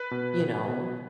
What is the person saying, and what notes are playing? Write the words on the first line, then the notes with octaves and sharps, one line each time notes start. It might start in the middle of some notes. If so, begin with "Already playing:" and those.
you know?
Already playing: B4
B2
B2
B2